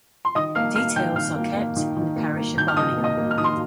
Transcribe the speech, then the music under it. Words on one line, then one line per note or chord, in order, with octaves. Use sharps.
Details are kept in the parish of Barningham.
C6
D#3 D#5 D#6
A#3 F5 F6
A#3 F5 F6
D#3 G5 G6
D#3 F5 F6
A#3
A#3
D#3
D#3
A#3
A#3
D#3 G6
F6
D#3 D#5 D#6
A#3
D#5 D#6
A#3
F6
D#3 D#6
C6